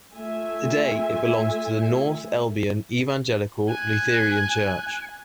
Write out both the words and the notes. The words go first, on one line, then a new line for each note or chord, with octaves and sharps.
Today it belongs to the North Elbian Evangelical Lutheran Church.
A3 F4 E5 G#5
G#5 F#6